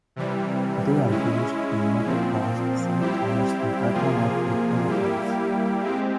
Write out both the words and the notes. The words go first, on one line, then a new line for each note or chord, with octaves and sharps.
They are used in motocross sidecars and ultra lightweight aeroplanes.
C3 E3 G3
G#3 C#4 E4
A#2 F3 C4
G3 C4 E4 G4
C3 F3 A#3 F4 G#4
G3 A#3 E4 G4
G#3 C4 G4